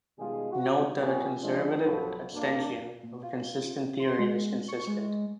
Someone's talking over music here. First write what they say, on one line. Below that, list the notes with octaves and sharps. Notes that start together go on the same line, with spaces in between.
Note that a conservative extension of a consistent theory is consistent.
B2 D#3 G3 G#3 F4 G#4
F#4
A#2 G3 A#3 B3 C#4 G4
F3 G#3 D4
B1 G2 F3 F#3 A4 B4
F#2 A#3 D4
A#2
F4
C6
G#3
C#6
G#3